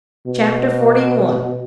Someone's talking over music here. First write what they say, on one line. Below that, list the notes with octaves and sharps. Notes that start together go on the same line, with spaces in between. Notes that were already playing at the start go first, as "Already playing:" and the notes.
Chapter XLI.
B2